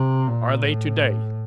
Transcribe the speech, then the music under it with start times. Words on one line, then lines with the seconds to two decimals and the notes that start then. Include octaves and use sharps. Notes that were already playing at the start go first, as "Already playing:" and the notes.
Are they to-day?
Already playing: C3
0.27 A#2
0.63 A2